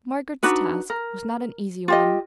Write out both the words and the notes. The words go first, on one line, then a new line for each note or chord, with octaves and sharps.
Margaret's task was not an easy one.
D4 D#4 F#4 B4
A#4
F4 G4 D#5